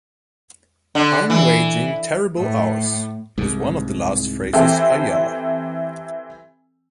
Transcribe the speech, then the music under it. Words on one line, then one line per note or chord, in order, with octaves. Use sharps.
"I'm waging terrible hours," was one of the last phrases Ayala.
D3
E3
A2
C2 G#2
E3 C4 G4 A4